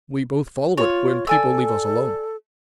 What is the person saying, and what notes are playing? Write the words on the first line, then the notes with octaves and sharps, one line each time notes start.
We both follow it, when people leave us alone.
F4 C#5
A4 D5 G#5 E6